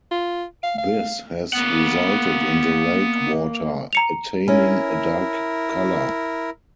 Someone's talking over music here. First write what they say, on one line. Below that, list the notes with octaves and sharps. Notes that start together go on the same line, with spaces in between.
This has resulted in the lake water attaining a dark colour.
F4
F5
F5
A#3 B3 F#5
A#5 C#7 F7
C#4 E4 A#4